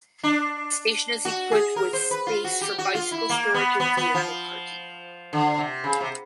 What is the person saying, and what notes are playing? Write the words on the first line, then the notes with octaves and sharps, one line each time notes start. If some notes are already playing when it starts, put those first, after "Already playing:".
The station is equipped with space for bicycle storage and vehicle parking.
D4
F#4
G#4
A#4
C5
B4
F4
F#4
G4
F#4
F4
E4
A#3
B3
B3
B3
F3
D3
C3
C#3
C3